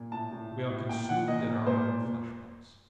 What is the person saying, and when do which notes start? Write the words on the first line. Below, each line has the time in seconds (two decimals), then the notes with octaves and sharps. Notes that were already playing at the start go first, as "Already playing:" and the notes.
We are consumed in our own flesh-pots.
Already playing: A#2
0.12 A2 A5
0.32 A2
0.51 A2
0.70 A2
0.89 A#2 G5
1.09 A#2 F#5
1.28 A#2 D#5
1.48 A#2
1.67 A#2 C5
1.87 A#2
2.05 A#2